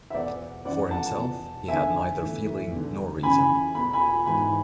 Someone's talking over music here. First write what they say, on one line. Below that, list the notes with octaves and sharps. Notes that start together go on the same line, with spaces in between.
For himself, he had neither feeling nor reason.
E5
E2 B2 D5 F#5
F#2 E3 D5 F#5
F#5 A5
E2 B2
E2 D3 E5 G#5
A2 E3
E2 D3
F#2 C#3 E3 G#5 B5
E2 B2 B5
G#5 B5
G#2 E3 G#5 B5